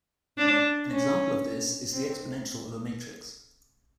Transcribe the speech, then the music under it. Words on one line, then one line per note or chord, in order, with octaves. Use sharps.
An example of this is the exponential of a matrix.
D4
C#4
C4